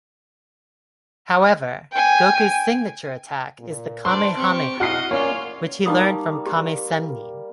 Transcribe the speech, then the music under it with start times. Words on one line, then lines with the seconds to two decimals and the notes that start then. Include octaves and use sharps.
However, Goku's signature attack is the "Kamehameha", which he learned from Kame-Sen'nin.
1.92 G5 G#5
3.59 A#2
4.05 D4 B4 C5 D5 C6
4.37 C4 G4 C#6
4.80 E4 F#4 D#5 F6 C7
5.11 A#3 C#4 F4 C#5 D5
5.86 G3 A#3 D#4 G5 C#6 D#6
6.46 G4